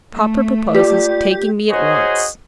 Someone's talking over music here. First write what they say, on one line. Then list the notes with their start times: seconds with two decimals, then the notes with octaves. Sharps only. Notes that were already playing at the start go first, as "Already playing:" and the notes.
"Papa proposes taking me at once."
0.15 A3
0.75 F4 G4 D5
1.70 D#4 F#4 G#4 C5 C#5 D#5